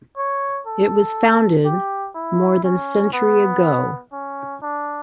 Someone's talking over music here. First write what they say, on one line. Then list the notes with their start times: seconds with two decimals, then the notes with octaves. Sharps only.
It was founded more than century ago.
0.17 C#5
0.67 A4
1.65 G4
2.15 E4
2.64 C#4
3.13 B3
4.12 C#4
4.62 D4